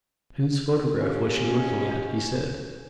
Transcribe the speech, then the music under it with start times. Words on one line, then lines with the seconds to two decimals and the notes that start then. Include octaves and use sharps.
"Whose photograph was she looking at?" he said.
0.99 F3 G#3 C#4 G4